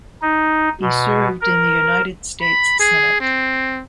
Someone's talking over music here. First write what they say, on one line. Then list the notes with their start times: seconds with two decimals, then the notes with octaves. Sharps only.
He served in the United States Senate.
0.22 D#4
0.81 B2
1.41 A#4
2.41 B5
2.80 G#4
3.20 C4